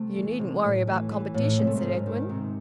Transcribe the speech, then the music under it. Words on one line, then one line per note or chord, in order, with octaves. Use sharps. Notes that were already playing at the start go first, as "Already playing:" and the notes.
"You needn't worry about competition," said Edwin.
Already playing: C3 A3
E3
C3
A2
E3
E3
A2
C3 G#3
A3
G#2 G#3
D#3
D#3
C3